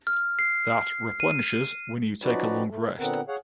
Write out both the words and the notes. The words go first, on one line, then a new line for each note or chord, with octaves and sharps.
That replenishes when you take a long rest.
F6
C7
D#7
F3 C#4 D#4 F#4 B4 D5
A3
A#2 D3 B3 C4 A#4 F#5
G#4 C#5 F5 F#5